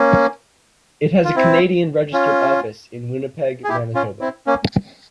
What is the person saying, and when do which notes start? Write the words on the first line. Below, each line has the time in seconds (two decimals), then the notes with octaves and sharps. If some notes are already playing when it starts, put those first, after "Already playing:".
It has a Canadian registered office in Winnipeg, Manitoba.
Already playing: A#3 C#4
1.25 F4
1.35 C4 E4
2.13 C#4 F4
3.64 G#4
3.69 E4 G4
3.95 C#4 F4
4.21 C4 E4
4.47 A#3 C#4